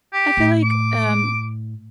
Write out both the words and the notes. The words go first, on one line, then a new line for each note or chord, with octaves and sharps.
I feel like, um,
G4
A2
D6